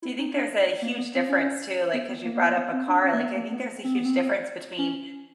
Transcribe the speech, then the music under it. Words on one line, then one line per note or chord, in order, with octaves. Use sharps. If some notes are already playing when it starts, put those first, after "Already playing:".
Do you think there's a huge difference, too, like, 'cause you brought up a car? Like, I think there's a huge difference between
E4
D#4
D4
A#3
B3
C4
C#4
B3
B3
A#3
A#3
B3
B3
C4
D4
C#4
A#3
B3
A#3
B3
C4
B3
C4
C#4